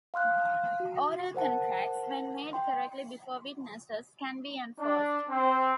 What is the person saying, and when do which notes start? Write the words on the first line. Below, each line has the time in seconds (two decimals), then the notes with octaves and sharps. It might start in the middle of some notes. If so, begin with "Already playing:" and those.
Oral contracts, when made correctly before witnesses, can be enforced.
0.14 F5 C6 F6 F#6
0.80 F#4
1.35 A#4 C5 F#5 A5
2.53 G5 C6
4.80 D4
5.30 C4